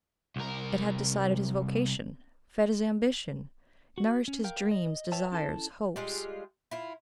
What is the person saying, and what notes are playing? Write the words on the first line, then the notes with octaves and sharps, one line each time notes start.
It had decided his vocation, fed his ambition, nourished his dreams, desires, hopes.
C2 A#4
F#4
C#4
A#4 F5 G5
D#5
B4 C#5 E5 G5 A5
C#4 E4 A4 A5
G3 G#3 F4
E4 F4